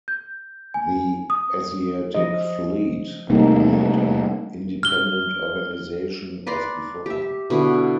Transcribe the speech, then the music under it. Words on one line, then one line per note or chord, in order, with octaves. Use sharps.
The Asiatic Fleet remained an independent organization as before.
G6
G#5
D#6
F3 D#5
C3 G3 A3 A#3 D#4
F6 G7
B4 D5 A#5 C6
G4 E5
B2 D3 E4